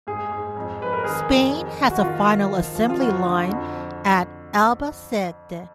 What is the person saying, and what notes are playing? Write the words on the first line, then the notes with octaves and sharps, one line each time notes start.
Spain has a final assembly line at Albacete.
G#2 G#4
G#2
F2
F2 B4
A#4
D#3 G#4
F2
D#3
D#3
F#4
D#3 F4
D#3
F3
F3
F4
F2 F#4
D3
F2